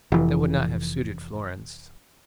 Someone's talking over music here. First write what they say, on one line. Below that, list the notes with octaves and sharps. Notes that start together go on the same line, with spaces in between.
That would not have suited Florence.
F1 E3